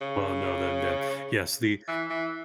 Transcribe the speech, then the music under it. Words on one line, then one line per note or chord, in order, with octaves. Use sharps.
Well, no, then then Yes, the
C#3
E3
E3